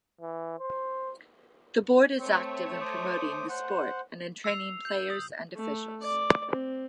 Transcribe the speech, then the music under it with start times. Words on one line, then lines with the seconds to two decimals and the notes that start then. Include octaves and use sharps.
The Board is active in promoting the sport and in training players and officials.
0.21 E3
0.60 C5
2.19 A3 C4 C#5
2.81 C5 D6 D#6
3.49 C5 F#5
4.44 E6 C7 F7
4.85 G6 F#7
5.10 D#6
5.56 A3
6.02 D5
6.50 C4